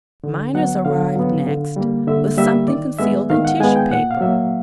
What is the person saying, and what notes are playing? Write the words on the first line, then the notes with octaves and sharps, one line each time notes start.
Mynors arrived next, with something concealed in tissue-paper.
D3
F#3 B3 F#5
D3 F5
F#3 B3
D3
G3 A#3
D3 E5
G3 A#3 E5
D#3 D5
G#3 B3 E5
D#3 F5
F#5
G#3 B3 G#5
G5
A#2 F#5
F5
F#3 A#3 E5